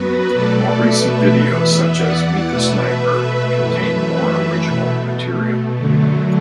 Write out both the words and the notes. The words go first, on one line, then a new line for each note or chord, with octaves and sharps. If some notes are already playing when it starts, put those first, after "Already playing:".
More recent videos, such as "Meet the Sniper", contain more original material.
Already playing: F#2 F#3 B3 F#4 B4
B2 A3 A4 D5
B4 E5
E2 E3 B3
D5 F#5
B2 A3 B4 E5
B4 E5
F#2 E3 A3 B4 E5
B2 A3
F#2 D3 F#3 A3